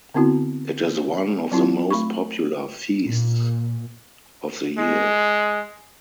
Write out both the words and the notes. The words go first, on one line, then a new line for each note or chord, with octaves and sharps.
It is one of the most popular feasts of the year.
D3 B3 C4 E4 F#4
F#3 C4 E4 F4
A3 B5 C#6
A#2
G#3